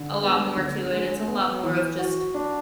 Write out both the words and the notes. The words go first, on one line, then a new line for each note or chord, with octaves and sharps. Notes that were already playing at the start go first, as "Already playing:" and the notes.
a lot more to it. It's a lot more of just"
Already playing: D3
B3
D3
G#3
B3
E3
F#4
D4